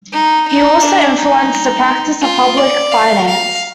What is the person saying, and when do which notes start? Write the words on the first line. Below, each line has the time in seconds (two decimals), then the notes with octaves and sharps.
He also influenced the practice of public finance.
0.13 D#4
0.48 D#4
0.82 D4
1.18 D#4
2.22 F4
2.57 D5
2.92 F5
3.27 F5